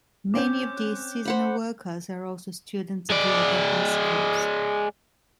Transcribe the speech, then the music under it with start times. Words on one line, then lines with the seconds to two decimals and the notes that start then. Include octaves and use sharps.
Many of these seasonal workers are also students of local high schools.
0.34 C4 C#4 D6 G6
0.77 F#6
1.25 C5 F#5 B5
3.10 G#3 D5